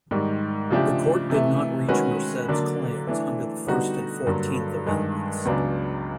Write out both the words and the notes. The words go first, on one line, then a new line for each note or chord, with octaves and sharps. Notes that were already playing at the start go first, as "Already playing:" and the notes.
The court did not reach Merced's claims under the First and Fourteenth Amendments.
G#2 D#3 G3
C#3 F3 A3 D4 G4
C3 E3 A3
D#3 G#3 C#4 F#4 B4
D3 F#3 A#3 D4
E3 A3 D4
D3 G3 B3 D#4 F#4
G2 D3 F#3 A#3
G2 D#3 G#3
C#2 C#3 F#3 B3 D4